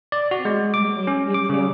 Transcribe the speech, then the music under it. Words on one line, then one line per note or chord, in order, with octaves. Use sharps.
Yeah, definitely, you too.
D5
F#4
G#3
D6
C#4
D6
C#3